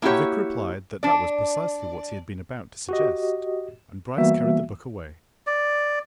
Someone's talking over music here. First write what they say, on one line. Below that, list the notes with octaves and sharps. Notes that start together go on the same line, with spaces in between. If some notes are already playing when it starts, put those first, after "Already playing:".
The vicar replied that that was precisely what he had been about to suggest, and Bryce carried the book away.
A#3 E4 F#4 G4 C#5
D4 D5
F#4 G4 D#5
E3 G3 A#3 B3 F#4 E5
D5